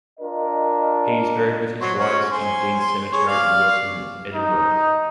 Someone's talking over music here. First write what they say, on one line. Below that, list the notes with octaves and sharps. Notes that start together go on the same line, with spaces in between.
He is buried with his wives in Dean Cemetery in western Edinburgh.
D4 F4 A#4 D#5
F#3 C5 C#5
C#4 F#4 C#5
C5 G#5
C6
G#4 C#5
D5 F5 F6
D#4